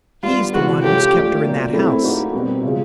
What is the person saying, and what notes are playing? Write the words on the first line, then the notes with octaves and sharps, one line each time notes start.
He's the one who's kept her in that house.
G3 B3 D4 F4
C3 E3 G#3 F#4
G#3 C#4 F4 G4 A4
F3 A3 D4
B2 F#3 A#3 D4 F4
A3 C4 E4 A4
A#3 D#4 F#4 A4
B2 G3 C4
C#3 F3 G#3